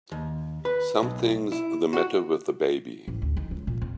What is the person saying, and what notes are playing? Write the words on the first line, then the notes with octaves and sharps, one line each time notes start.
Something's the matter with the baby!
D#2
B4
B1
E4
F#4
A1
D2
D#4
C#2
A#2
F2